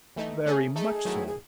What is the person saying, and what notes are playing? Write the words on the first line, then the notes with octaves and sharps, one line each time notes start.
"Very much so."
E3 A3 D#4
A3 C#4 G#4
A3 D#4 G#4 A4
D#3 F#3 A3 E4
G#4